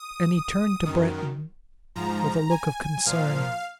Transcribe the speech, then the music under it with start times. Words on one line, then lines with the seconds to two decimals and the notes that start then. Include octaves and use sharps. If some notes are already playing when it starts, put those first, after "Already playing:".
And he turned to Breton with a look of concern.
Already playing: D#6
0.85 F#2 D#3
1.95 G#2 F3 A#5
2.50 G#5
3.06 A#2 F3 F5